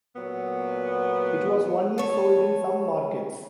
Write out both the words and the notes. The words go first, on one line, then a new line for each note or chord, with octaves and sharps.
It was only sold in some markets.
A#2 F#3 B3
A4 C#5